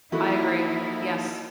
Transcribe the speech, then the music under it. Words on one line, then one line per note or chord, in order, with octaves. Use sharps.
I agree. Yes.
E3 F3 A#3 D#4 E4 F#4 A4